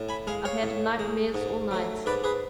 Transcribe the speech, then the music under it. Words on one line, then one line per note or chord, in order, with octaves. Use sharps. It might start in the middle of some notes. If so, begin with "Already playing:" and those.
"I've had nightmare all night!"
Already playing: A2
G#5 B5
G#3 F5 G#5
C#5 F5
A2
G#3
G#2
F#3 A3
G#2 B4 D5
G#4 B4